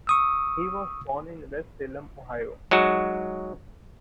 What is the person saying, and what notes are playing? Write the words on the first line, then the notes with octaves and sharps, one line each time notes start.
He was born in West Salem, Ohio.
C#6 D#6 E6
F#3 G#3 D#4 F#4